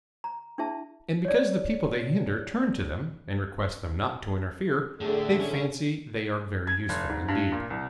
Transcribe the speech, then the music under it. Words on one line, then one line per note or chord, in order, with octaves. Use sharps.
And because the people they hinder turn to them and request them not to interfere, they fancy they are very useful indeed.
A#5
D4 E4 G#4 E5 A5
C#5 D5
A2 D3 G#4 E5
C#4
G#6
F1
G#2
G2
A#2
C2